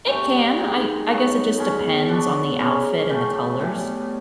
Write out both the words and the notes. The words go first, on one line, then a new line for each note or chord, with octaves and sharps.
It can, I I guess it just depends on the outfit and the colors.
G2 E3 A3 C4
D#3 G#3 C4 D#4
D#3 F#3 B3 D#4
B2 G#3 C#4
B2 F#3 B3 D4
C#3 F3 A#3 C#4
A2 E3 A3
A2 E3 G3 B3